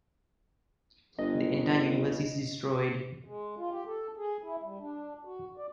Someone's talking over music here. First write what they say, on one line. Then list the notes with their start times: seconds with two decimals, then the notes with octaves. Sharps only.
The entire universe is destroyed.
1.19 G1 D#5
3.24 G#3
3.58 F4
3.71 G4
3.86 A4
4.17 G#4
4.43 E4
4.63 G3
4.79 D4
5.25 F#4
5.57 D5